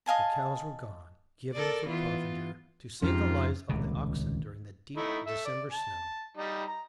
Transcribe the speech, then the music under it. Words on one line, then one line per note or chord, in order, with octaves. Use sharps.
Our cows were gone--given for provender to save the lives of the oxen during the deep December snow.
D#5 F5 G#5 A5
A4 A#4 D5
E3 B3 F4
F2 G#2 C3 F3 C#4 F4
D#1 C#2 C3
A3 D#4 E4
A4 E5
D5
A5
G3 D#4
A#5